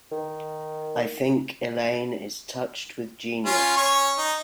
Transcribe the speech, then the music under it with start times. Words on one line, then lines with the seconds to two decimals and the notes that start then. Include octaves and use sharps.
I think Elaine is touched with genius.
0.12 D#3
3.46 C#4 F4
3.77 C#4 C#5 C#6
4.18 D#4